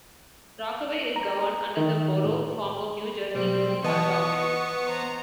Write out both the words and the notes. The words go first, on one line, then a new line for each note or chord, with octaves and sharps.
Rockaway is governed under the Borough form of New Jersey municipal government.
A#5
D#3
A2
B2 F#3 G3 C4
E3 B3 D#5 A5 C#6
C5 A#5